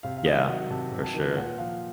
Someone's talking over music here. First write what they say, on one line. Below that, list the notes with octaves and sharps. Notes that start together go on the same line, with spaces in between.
Yeah, for sure.
C3 F5
F5
D#3 D#5
F#3 F#5
C3 A5
C3
A5
D#3
A#2 F#5
F3 F5